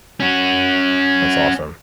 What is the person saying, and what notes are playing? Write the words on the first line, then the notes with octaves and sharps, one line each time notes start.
that's awesome.
C#4 F#4